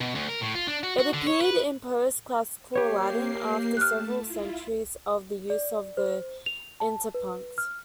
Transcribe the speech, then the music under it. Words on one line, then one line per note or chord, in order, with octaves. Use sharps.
It appeared in Post-classical Latin after several centuries of the use of the interpunct.
B2
D2
A#4
A2
F4
D4
F#4
F#4
D3
C#5
B4
A#3 G4 C#5 C7
A3 A5 F6 F#6
E4 F4
D5
C5
F7
A5
B4
F6